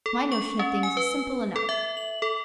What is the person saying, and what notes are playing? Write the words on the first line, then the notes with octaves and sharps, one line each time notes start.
My notion of things is simple enough.
A4
C#6
C#4
G#5
B4
A4
E5
F#7
A4